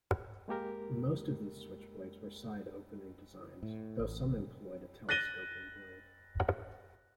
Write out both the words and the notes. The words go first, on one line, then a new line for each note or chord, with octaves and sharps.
Most of these switchblades were side-opening designs, though some employed a telescoping blade.
G#3 A#3 G4 A#4
A2
A1
F#6 A6 A#6 D#7 G7